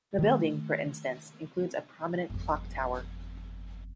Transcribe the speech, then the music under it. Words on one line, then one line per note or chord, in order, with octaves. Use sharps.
The building, for instance, includes a prominent clock tower.
D#3 A3
G1 F2